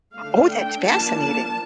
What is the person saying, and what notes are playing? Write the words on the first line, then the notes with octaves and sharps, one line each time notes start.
Oh, that's fascinating.
D3 A3 D4 F5
G5
F3 A#3 D4 A5
A5